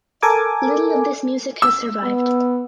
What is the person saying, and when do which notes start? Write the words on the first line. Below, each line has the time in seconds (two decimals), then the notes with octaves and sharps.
Little of this music has survived.
0.22 A4 A#4 G#5 D6
1.62 E6
2.03 B3